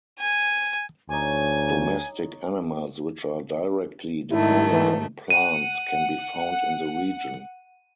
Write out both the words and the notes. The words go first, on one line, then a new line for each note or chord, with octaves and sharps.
Domestic animals which are directly dependent on plants can be found in the region.
G#5
D2 D#4 C#5 G#5 D6
G#2 D#3 A3 E4
E3
F#5 D#7